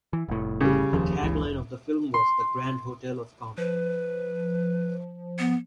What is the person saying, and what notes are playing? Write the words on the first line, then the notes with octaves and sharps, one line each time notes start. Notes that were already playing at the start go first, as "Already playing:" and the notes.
The tagline of the film was "The Grand Hotel of comedy".
E3
F1 A2
C#3 G3
F1 D#2 F3
F#1 C#2 E3
F1
C6
F3 B4
B3